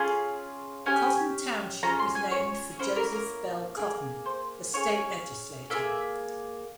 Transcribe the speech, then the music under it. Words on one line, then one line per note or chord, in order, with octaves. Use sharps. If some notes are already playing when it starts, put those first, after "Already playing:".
Cotton Township was named for Joseph Bell Cotton, a state legislator.
Already playing: C#4 F4 G#4
C#4 G4 G#5
C#4 F4 G#4 A#5
C6
G#5
C#5
A#3 C#4 E4 C5
A#4
A#4
A#3 E4 G#4
C5
C#4 F4 G#4 C#5
A#3 F4 G#4 E5